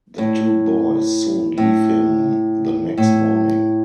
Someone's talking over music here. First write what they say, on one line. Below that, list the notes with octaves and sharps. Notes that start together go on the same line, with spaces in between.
The two boys soon leave him the next morning.
A2
A2
A2